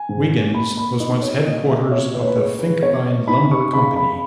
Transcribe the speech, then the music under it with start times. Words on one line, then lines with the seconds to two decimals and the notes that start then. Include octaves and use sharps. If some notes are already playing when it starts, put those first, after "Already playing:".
Wiggins was once headquarters of the Finkbine Lumber Company.
Already playing: G#5
0.09 G#2
0.54 A#3 B5
0.77 B5
1.00 D#4 D#5
1.22 C#5
1.45 A#2 D#5
1.69 E5
1.91 A#2 C#5
2.14 B4
2.21 C#5
2.28 B4
2.36 G#3 C#5
2.59 B4
2.82 B3 C#5
3.28 D#4 B5
3.51 C#6
3.73 C#3 B5
3.96 B5